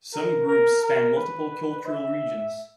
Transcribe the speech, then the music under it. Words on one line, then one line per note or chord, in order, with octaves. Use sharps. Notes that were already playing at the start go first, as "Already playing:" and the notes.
Some groups span multiple cultural regions.
A#4
A#4
A#4
B4
E5